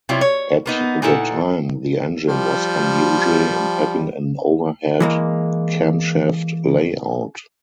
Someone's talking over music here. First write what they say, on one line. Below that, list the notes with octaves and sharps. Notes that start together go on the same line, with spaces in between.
At the time the engine was unusual in having an overhead camshaft layout.
C3 F#3 G3 E4 F4
C#5
A#3 B3 D#4
A#2 D#4 E4 A4 F#5
F3 G3
E3 G#3 A#3